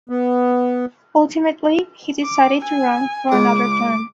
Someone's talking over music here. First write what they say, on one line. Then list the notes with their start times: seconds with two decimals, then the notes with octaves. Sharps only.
Ultimately he decided to run for another term.
0.09 B3
2.23 D6
2.61 G#5
3.32 C#2 C#3 G#3 D6